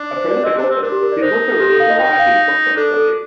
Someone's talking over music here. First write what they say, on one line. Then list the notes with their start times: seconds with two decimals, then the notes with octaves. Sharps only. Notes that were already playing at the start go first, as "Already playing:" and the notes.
A prolific author, he has also written a variety of books on the subject.
Already playing: D4
0.16 C5
0.30 D5
0.44 C4 D#5
0.58 D4
0.64 C5
0.70 C4
0.83 D4 A#4
0.92 G4
1.03 A#4
1.12 D5
1.21 D#4 C5
1.34 A#4
1.48 A4
1.60 G4
1.70 A4
1.80 F5
1.89 D#5
1.99 D#4 G5
2.12 G5
2.19 F5
2.77 D4 A4
2.96 A4